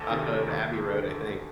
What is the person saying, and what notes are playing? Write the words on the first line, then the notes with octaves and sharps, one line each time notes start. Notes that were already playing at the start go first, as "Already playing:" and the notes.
Off of Abbey Road, I think.
Already playing: D2 A4
C3 D#3
D#2
D3
D2